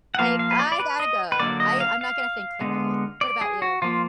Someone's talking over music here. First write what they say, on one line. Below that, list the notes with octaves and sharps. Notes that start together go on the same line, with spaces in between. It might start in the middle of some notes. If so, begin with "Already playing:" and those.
like, I gotta go, I I'm not gonna think clearly. What about you?
F#5
F3 A#3 F5
F5
B4
D5
D5
B4
D#5
B4
D3 F#3 A#3 D5
D#5
F5
F5
D3 G#3 B3
D5
G#4
F#4
F3 A#3 F4